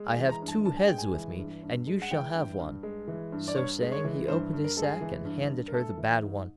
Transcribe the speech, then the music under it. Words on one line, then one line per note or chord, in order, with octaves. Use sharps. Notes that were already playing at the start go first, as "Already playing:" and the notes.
'I have two heads with me, and you shall have one.' So saying, he opened his sack, and handed her the bad one.
Already playing: G#3
G#5
E3
A#5
G2
A5
G2 A5
G#5
G#3 G5
G#5
E3
G2
G2
G#3
F#5
E3 G5
G2
G2
G#3
E3
G2
D5
G2 C#5
G#3
C#5
E3
G2 C5
G2
A#4
G#3 A4
G#4
E3
G2
G2
A#4
A3 A4
E3
G#2